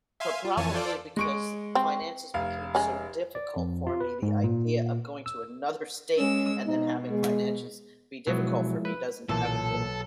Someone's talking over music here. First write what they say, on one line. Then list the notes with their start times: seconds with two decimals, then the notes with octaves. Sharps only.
Pro probably because finances became so difficult for me, the idea of going to another state and then having finances be difficult for me doesn't sound appealing.
0.20 E5 F5 G#5 C6
0.45 F4
0.57 F2 E3 C#5 G#5 A5 D#7
0.74 F4 A4 C5 D5 D6
1.17 G#3 C#6 D7
1.75 C4
2.34 F1 F5
2.75 G#3 C#4
3.35 D5
3.56 F2
3.87 F4
4.00 B4
4.22 G#2
4.44 A#2
5.26 E6
6.18 G#3 C#4 E6
6.67 B2 D#4
7.10 G#3
8.27 B2 F3 F#3 G#3 E4
8.85 B4
9.29 B1 A#2 E3 A#3 A4